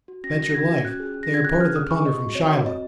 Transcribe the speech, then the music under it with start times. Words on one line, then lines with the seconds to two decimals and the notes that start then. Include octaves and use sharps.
Bet your life, they are a part of the plunder from Shiloh.
0.08 F#4
0.24 C#4 A#6
0.39 F#4 A#6
0.54 C#4 G#6
0.69 F#4
0.84 C#4 F#6
1.00 F4 G#4
1.14 C#4
1.23 A#6
1.30 F4 G#4 G#6
1.44 C#4 F#6
1.60 F4 G#4 F6
1.76 C#4 D#6
1.90 F4 G#4 C#6
2.06 C4 D#5
2.21 F#4
2.35 C4 C#5
2.51 F#4 D#5
2.66 C4 D#5